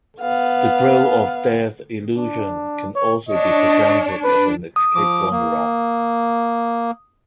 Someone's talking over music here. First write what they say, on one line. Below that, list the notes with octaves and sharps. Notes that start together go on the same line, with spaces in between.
The Drill of Death illusion can also be presented as an "escape gone wrong".
B3 F5
D4
C#5
D4 C#5 D#5
D4 B4
D#6
F3 D6
A#3